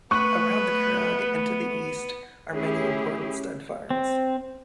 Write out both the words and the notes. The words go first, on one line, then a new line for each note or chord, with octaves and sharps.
Around the Curragh, and to the east are many important stud farms.
A3 B3 B4 C#6 F#6 D#7
A3 C#4 E4 G4 G#4
C4